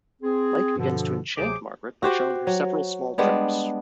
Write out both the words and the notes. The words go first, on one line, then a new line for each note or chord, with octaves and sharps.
Mike begins to enchant Margaret by showing her several small tricks.
C4 G#4
G2 B2 D3 F3
D2 C3 F#3 G#4 C5 D6
F#4 G4 C5 G5
F#3
G3 G#3 B3 D4